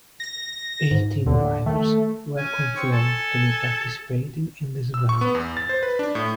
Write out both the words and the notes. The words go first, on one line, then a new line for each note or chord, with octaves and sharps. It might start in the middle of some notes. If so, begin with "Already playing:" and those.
Eighteen drivers were confirmed to be participating in this event.
A#6
G#2
D#2 D3
D#3 A3
C#4 G#5
C4 C#6
A4 G#5
E6
C#6
B3
E2
A6
C5
B4
D4
A2